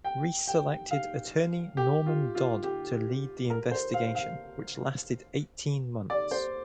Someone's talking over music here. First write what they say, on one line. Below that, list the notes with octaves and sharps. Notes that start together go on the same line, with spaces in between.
Reece selected attorney Norman Dodd to lead the investigation, which lasted eighteen months.
G5
G5
F5
G4
F4
F4
G4
A#4
C5
F5
F5
D5
C5